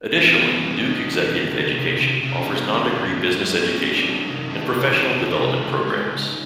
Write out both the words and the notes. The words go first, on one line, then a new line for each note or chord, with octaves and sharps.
Additionally, Duke Executive Education offers non-degree business education and professional development programs.
E3 A#3 C4
E3 B3 C#4
G3 B3 C#4
C#3 C#4 D#4
E3
C#3
D#3
C3
C3
C3 C#4
D4
C3 B3 C#4
D#3
F#3
A2
F#3
A2 B3 C#4
A2
C4 D4
F#3
C3 C#4 D#4
D#3 D4 E4
C3 D4 E4
C3 D4 E4
D#3
D#4 F4
C3
C#3
G#3
C#3